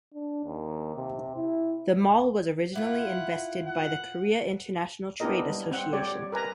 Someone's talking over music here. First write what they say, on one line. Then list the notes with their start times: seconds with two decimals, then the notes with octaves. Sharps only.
The mall was originally invested by the Korea International Trade Association.
0.15 D4
0.45 D#2
0.97 C3
1.36 E4
2.76 E4 F4 F#5
3.66 F#5
5.20 B3 D4 E4 G4 A#4 D#5
5.50 G3
5.71 C4 F#5
5.93 G3 G4 C#5 D5
6.32 A#4 B4 G#5 A#5